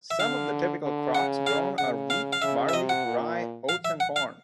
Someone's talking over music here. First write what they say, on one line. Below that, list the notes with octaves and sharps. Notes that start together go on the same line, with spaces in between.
Some of the typical crops grown are wheat, barley, rye, oats and corn.
E5
D3 F5
D3
C#3 F#5
F5
C#3 F#5
F5
F5
C#3 E5
E5
C3 D#5
F#5
A#2
F5
E5
F#5
F5